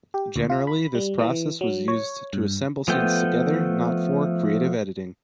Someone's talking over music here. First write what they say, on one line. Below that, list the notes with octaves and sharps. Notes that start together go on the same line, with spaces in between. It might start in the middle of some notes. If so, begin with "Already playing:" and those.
Generally this process was used to assemble scenes together, not for creative editing.
G4
D2
F4
B5
G3
E3
F#3
C#5
G2
F3 A3 B3 G5